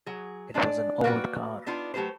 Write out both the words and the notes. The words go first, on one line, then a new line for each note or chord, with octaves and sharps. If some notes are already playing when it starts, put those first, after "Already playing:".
It was an old car.
F#3 G#4
G#3 D4 D5
A#3 F#4 B4 D5 F#5 G5
B3 D4 D#4 F4
F#3 A3 G4 B4 C5